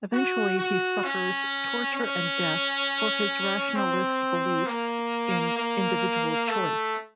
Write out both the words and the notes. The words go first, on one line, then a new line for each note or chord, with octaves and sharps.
Eventually he suffers torture and death for his rationalist beliefs in individual choice.
F#4
F#4
C#4
C#4
C4
A#3
A#3
A3